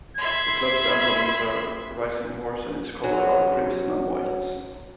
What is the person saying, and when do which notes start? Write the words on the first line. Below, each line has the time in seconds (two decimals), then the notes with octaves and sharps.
The club's emblem, is a rising horse and its colors are crimson and white.
0.17 E5 B5 C6 G#6
3.04 F#3 C#4